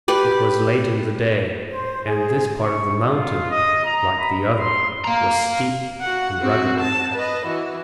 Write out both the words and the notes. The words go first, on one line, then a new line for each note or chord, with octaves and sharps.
It was late in the day, and this part of the mountain, like the other, was steep and rugged.
G4 B4 D5
C5
G#4
C#6
F4
D#5
A#5
B5
C6
F5 A#5
F#4 F#5
C4 F#4
A5
B4 D#5
E3 F#4